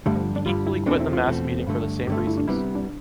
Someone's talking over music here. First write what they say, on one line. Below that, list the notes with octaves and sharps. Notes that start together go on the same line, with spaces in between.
He equally quit the mass meeting for the same reasons.
G2 D3 G3 A3
F3
D4
G2 D3 G3 F4
E4
E2 B2 A3 C4 D4
E4
F4
E2 B2 A3 C4
G2 D3 A3
G2 D3 A3 G4
F4
E4
D4
C2 C3 G3 B3 E4
D4